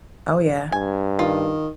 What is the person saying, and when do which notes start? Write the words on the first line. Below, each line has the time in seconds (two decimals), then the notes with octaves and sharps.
Oh, yeah.
0.72 G2 G#5
1.19 D#3 F4